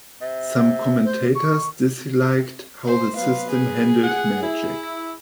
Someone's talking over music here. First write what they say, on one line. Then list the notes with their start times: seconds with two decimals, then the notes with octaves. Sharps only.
Some commentators disliked how the system handled magic.
0.21 C3
1.05 C5
1.35 C#6
2.87 C5
3.17 F#3 B3 B4 F5
3.51 G#4
4.04 F#5
4.43 E4